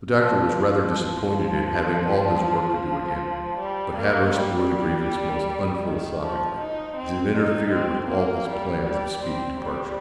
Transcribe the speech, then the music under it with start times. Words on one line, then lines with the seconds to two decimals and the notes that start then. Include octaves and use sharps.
The Doctor was rather disappointed at having all his work to do again, but Hatteras bore the grievance most unphilosophically, as it interfered with all his plans of speedy departure.
0.21 F3
0.58 F3
3.59 G3
3.97 A#3
4.34 G3
5.85 D#3
6.22 F3
6.60 D#4
6.97 C4
7.35 D#4
7.74 C4
8.10 A#3
8.48 G3
8.85 G3
9.24 C4
9.61 G3